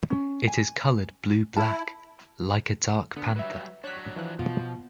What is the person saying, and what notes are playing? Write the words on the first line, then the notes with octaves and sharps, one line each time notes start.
It is colored blue-black, like a dark panther.
C#4
G#5
E4 A5
D3 B3
F#3 G3 B4 E5
F#3 D4 C#5 F#6 B6
E3 F3 F#6
B2 F3 F4